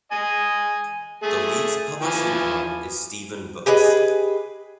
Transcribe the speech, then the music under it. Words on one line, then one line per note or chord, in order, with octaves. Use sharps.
The League's publishing arm is Steven Books.
D#5 G#5
A3 G#4
E3 F3 G#5
G4 G#4 B4 D#5